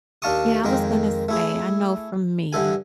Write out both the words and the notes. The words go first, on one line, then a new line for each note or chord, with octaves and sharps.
Yeah, I was gonna say, I know from me
D#2 D4 F5 A5 C#6 D#6
F2 D#3 G#3 A#3 G5
A3 E4 G#4
G2 D3 E3 A4 G#5